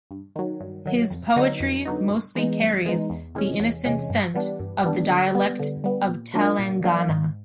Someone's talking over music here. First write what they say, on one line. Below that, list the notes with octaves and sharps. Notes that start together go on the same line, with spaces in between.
His poetry mostly carries the innocent scent of the dialect of Telangana.
G2
D#3 F#3
G2
D#3 F#3
F2
D3 F#3 B3 D#4
F2
D3 F#3 B3 D#4
G2
E3 G#3 B3 D#4
G2
E3 G#3 B3 D#4
E2
C3 E3 G#3 C#4
E2
C3 E3 G#3 C#4
G2
E3 G3 B3 D4
G2
E3 G3 B3 D4
D3
G3 B3
D3
G3 B3
A#2
F#3 A#3 D4 F4
A#2
F#3 A#3 D4 F4
G#2